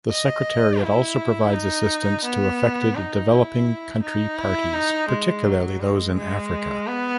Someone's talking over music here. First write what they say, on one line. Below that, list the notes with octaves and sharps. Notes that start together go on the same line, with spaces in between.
The secretariat also provides assistance to affected developing country Parties, particularly those in Africa.
D#5
E4
D#4
B3
D#4
E4
D#4
E4
D#4
G#3
F#3
G#3
G#3
B3